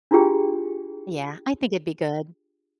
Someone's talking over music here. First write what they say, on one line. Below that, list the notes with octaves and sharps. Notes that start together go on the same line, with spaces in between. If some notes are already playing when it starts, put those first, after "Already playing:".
Yeah, I think it'd be good.
D4 E4 F4 G4 G#4 G5